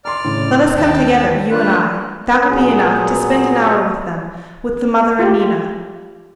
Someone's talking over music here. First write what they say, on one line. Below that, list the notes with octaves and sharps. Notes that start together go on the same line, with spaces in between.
Let us come together, you and I, that will be enough, to spend an hour with them, with the mother and Nina.
D5 A#5 C6 F6
A2 C#3
D#2 G5 A5 E6
D4 F4 B4 C6
A#2 F#3 B3 G#4
F4 G4